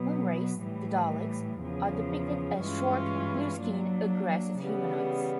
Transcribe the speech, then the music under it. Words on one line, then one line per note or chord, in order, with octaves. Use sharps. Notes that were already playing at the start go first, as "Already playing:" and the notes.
One race, the Daleks, are depicted as short, blue-skinned, aggressive humanoids.
Already playing: B2 F#3 B3
A2 E3 G3
E2 C#3 F3
G2 E3 G#3 C#4 F4
F#3 A#3 D4
C#3 E3 G3 B3